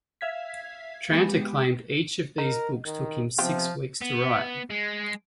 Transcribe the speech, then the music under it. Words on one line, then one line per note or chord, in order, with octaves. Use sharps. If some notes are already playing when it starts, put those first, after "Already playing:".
Tranter claimed each of these books took him six weeks to write.
E5 F5 G#6 B6
G#3 B3 G4
D#4 A#4
D#3
C3 F3 B3 F4 G4
B3
G#3